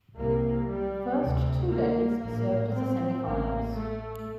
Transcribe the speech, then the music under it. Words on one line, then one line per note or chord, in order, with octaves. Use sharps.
The first two days served as a semi-finals.
C2 C3 A#3
G3
D2 C3
A#3
A#1 A2 A#3
C4
A1 A2 A#3
A3